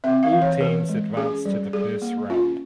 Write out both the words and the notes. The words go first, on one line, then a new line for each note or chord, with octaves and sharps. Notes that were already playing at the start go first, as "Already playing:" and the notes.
All teams advanced to the first round.
C4 E5
F5
E3
C#5
E3 A#4
G#3
C#4 G#4
G3
G3 G#4
A#3
C#4 F4